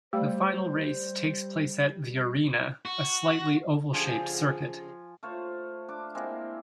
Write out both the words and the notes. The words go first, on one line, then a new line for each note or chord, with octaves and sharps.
The final race takes place at "The Arena", a slightly oval-shaped circuit.
G3 A3 C5
F#4
C#3 F3 G4 G#4 G#5
A3 F4 C5 C#5
D4 D6
G#3 A#3 C4 E4